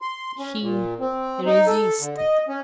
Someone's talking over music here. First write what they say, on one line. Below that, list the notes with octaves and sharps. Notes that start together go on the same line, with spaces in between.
He resisted....
C6
C#4
A#2
C4
D#4
A4
D3
D#5
C#4